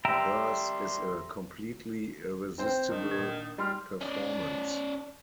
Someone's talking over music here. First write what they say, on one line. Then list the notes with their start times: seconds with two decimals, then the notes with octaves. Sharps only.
Hers is a completely irresistible performance.
0.05 G3 E5 G5 A#5 C6
2.58 C4 C5 G5
2.90 G2 D#3
3.11 A#1 G#6
3.58 G3 C6 F6
4.01 C#4 D5